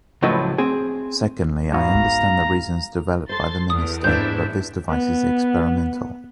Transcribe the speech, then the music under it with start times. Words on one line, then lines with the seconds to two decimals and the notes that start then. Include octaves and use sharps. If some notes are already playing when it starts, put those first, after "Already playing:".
Secondly, I understand the reasons developed by the Minister, but this device is experimental.
0.22 C#2 A2 F3 F#3 B4 E5
0.58 C4 G#4
1.72 G#2 B3 F#4 F5 A#5
3.29 A4 C5 C6 A6
3.70 E2 D#6
4.04 G#2 A3 C4 D4 E4 G6
4.89 B3